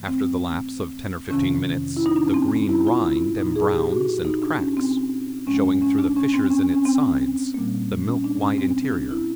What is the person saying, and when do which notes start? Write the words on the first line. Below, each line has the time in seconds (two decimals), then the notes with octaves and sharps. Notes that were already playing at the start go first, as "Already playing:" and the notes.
After the lapse of ten or fifteen minutes, the green rind embrowns and cracks, showing through the fissures in its sides the milk-white interior.
Already playing: G#2 E3 A3
0.08 C4
1.30 F2 C3 D#3 C#4
1.96 E4
2.06 D#4
2.16 D4
2.25 C#4
2.34 C4
2.51 D4
2.69 E4
2.87 F4
3.03 E4
3.38 A#2 F#3 A#3 D#4
3.56 G#4
3.73 G4
3.91 F#4
4.25 D#4
4.42 D4
4.59 C#4
4.77 C4
5.46 G#2 F3 G#3 C#4
5.64 C#4
5.82 C#4
5.99 D4
6.16 C#4
6.34 C4
6.50 C#4
6.74 C#4
6.85 C4
7.54 A#2 G3 A#3
8.07 C#4
8.24 D4
8.42 C#4
8.58 C4
8.93 D4
9.11 E4